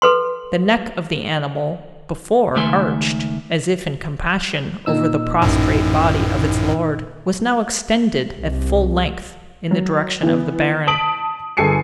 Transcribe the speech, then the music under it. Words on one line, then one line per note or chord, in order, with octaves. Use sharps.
The neck of the animal, before arched, as if in compassion, over the prostrate body of its lord, was now extended, at full length, in the direction of the Baron.
A4 B4 C6
C#2 D#3 A3 E5 G#5 C6
A#2 D#4 E6
A1 F#2 A2
C2
F#3
E3 B3
A5 D#6 B6 D7 F#7
G1 G#4 A4 G#5 C7 C#7